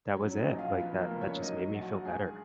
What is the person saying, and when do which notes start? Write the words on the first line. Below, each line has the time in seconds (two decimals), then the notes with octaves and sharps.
that was it, like, that that just made me feel better.
0.16 F#3 C#4 C#5
0.37 D#4 D#5
0.48 A#1
0.59 F4 F5
0.79 F3 B3 B4
1.00 A#3 A#4
1.11 C#2
1.21 C#4 C#5
1.42 F#3 D#4 D#5
1.73 A#1 F#4 F#5
2.05 G#3 G#4 G#5